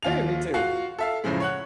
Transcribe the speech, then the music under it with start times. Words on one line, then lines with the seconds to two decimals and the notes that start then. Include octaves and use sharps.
Hey, me too.
0.03 D#2 F4 F7
0.54 F4 F#4 F5
0.99 A4 E5 F5
1.24 F#2 A2 C#3 F3 G#3
1.40 C#5 F#5 F#6